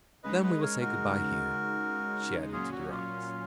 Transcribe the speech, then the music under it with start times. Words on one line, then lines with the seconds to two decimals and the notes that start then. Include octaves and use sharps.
"Then we will say good-bye here," she added to Durrance.
0.23 C#3 G#3 D#4 B4 D#5
0.43 B4 D#5
0.62 A#4 C#5
0.81 F#4 A#4
2.52 A#2 F#3 C#4 F4 G#4
2.72 F#4
2.91 F4